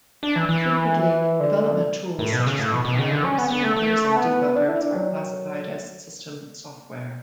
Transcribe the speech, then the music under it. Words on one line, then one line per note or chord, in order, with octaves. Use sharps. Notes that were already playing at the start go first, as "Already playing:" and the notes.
Frequently development tools such as compilers, linkers, and debuggers are classified as system software.
D4
E3
E3
D3
A2
B2
C#3
A2
B2
B2
C#3
D3
C#4
B3
B3
A3
A3
B3
D4
E4
D4
F#3